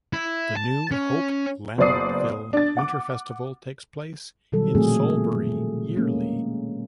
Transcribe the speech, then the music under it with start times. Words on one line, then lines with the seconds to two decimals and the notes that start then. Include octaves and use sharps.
The New Hope-Lambertville Winter Festival takes place in Solebury yearly.
0.13 E4
0.57 A5
0.91 C#4
1.78 F#1 B3 C5 D5 D#6 C7
2.53 D4 A6
2.77 F#5 D6
4.52 B2 D#3 F#3 G3 A4
4.75 A#2 D3 F3 A3 C4 G#4
5.96 G#3 A#3 C#4